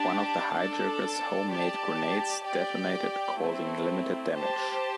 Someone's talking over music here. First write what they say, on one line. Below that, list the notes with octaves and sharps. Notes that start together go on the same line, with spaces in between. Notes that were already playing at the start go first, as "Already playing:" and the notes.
One of the hijackers' homemade grenades detonated, causing limited damage.
Already playing: D4 G4 D5 A5
D4 A4 D5 A5
G4 D5 A5
G4 D5 G5
A3 C4 E4
G4 C5 A5